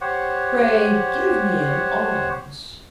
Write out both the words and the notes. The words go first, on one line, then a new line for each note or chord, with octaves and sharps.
Pray give me an alms.'
G4 C5 C#5 F#5